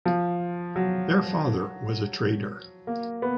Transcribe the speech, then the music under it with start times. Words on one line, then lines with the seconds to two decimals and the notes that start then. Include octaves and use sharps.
Their father was a trader.
0.06 F3
0.76 F#3
2.87 A#3
3.22 B3